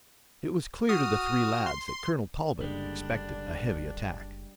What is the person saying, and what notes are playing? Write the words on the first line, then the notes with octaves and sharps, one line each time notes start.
It was clear to the three lads that Colonel Talbot expected a heavy attack.
F#4 D#6 F6
C6
C6
F#1 D3 G3 G#3 D4